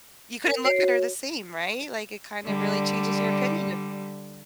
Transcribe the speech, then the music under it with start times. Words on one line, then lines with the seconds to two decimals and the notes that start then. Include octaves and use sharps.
You couldn't look at her the same, right? Like, it kind of really changes your opinion of
0.46 A#4
0.64 F#4 C#5 C7 D7
0.78 F#4 C#5
2.46 D3 G3